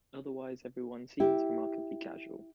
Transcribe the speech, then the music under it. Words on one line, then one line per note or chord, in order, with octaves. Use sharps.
Otherwise every one seems remarkably casual.
E4 G4